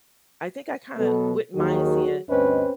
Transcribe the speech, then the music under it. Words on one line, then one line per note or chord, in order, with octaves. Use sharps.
I think I kinda wouldn't mind seeing
B2 F#3 B3 A4
D#2 D#3 F#3 F#4 G#4
D2 G2 C4 C#4 B4 D#5